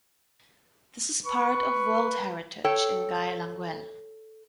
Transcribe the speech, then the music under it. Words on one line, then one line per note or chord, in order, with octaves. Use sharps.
This is part of World Heritage in Gaelanguel.
B4 C#6
A4 C#5 G5